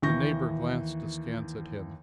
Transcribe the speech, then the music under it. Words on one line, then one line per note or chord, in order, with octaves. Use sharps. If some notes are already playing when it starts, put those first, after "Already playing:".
The neighbour glanced askance at him.
D#2 E3 C#6 G6 A#6